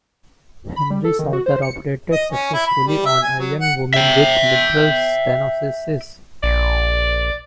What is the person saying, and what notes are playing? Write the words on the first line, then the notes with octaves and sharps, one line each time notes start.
Henry Souttar operated successfully on a young woman with mitral stenosis.
B5
G3
A4
D#3
F#4
C5
C#7
D#5
C#4
E4
B5
G3
E5
G#5
F#3
F#5
E5 G5
A#1 D5